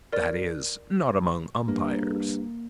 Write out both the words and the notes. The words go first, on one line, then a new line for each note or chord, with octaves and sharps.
That is, not among umpires.
A#4 D5
G2 A#3